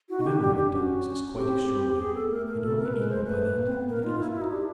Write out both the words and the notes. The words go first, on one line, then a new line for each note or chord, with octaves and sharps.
The memory of dogs is quite extraordinary, and only equalled by that of the elephant.
E4 F#4
D#4
G4
D#4
D4 G4
D4 G4
C#4 F#4
C#4
C4 G4
G4
B3 G#4
A4
A3 A#4
A#4
A4
A#4
B4
G#3 A#4
C5
A3 B4
A#3
C4
B3
A#3 A#4
D#4 F4
E4
E4
F#4
D#4
D4 G4